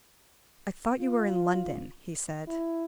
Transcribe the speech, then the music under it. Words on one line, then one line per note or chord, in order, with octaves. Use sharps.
"I thought you were in London?" he said.
F4
E4